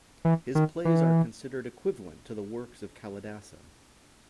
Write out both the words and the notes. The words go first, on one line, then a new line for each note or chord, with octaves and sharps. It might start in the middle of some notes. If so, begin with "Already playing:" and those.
His plays are considered equivalent to the works of Kalidasa.
E3
D#3
E3